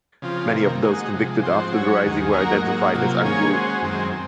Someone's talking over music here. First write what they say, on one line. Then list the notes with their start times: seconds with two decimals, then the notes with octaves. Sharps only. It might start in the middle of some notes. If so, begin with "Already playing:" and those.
Many of those convicted after the rising were identified as "Anguru".
0.22 C#3 F3 C4 F4
0.53 C3 D#3 A#3
0.82 G#3 D#4 F#4
1.13 C3 F3 G#3
1.43 G#2 F3 C4 F#4 C5
1.72 F#3 C#4 F#4 C#5
2.03 D#2 D#3 G#3
2.32 F#3 A#3 D#4 F#4 A#4
2.62 G#2 F#3 A#3 D#4 F#4
2.92 C3 F#3 A#3 F4
3.22 D#3 A#3 C#4 G#4 C#5
3.52 G#3 C#4 F#4 C5
3.82 F#2 D#3 G#3 C4
4.12 C4